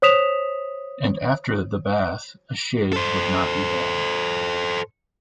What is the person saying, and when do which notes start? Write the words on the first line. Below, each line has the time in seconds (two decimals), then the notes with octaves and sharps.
And after the bath a shave would not be bad.
0.02 C5 C#5 D#6 B6 E7 F7
2.93 A4 C5